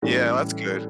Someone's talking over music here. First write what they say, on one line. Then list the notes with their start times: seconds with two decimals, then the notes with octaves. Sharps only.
Yeah, that's good.
0.02 A2 E3 G3 C#4